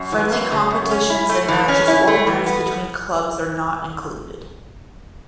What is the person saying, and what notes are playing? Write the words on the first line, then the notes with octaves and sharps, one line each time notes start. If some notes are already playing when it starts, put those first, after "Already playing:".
Friendly competitions and matches organized between clubs are not included.
Already playing: F#2
E3
F#2
C#3
F#2
C#4
E4
A3
E3
C#4
E4
A3
E3
B3